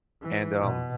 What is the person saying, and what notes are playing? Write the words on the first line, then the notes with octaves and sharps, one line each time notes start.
and, um
E3
B2